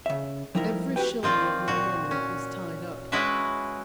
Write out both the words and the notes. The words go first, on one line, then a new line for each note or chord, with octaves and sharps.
Every shilling of my money is tied up.
C#3 E5
F3 G3 D#4 E4 A#4
F#4 G4 B4 G5
D#3 C4 F4 D5
A#2 F#4
C#4
G#3 C#4 E4 F#4 B4 E5